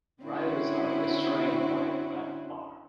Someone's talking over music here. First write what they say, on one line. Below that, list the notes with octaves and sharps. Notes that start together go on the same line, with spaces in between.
Riders are restrained by a lap bar.
D3 C4 C#4 E4 F#4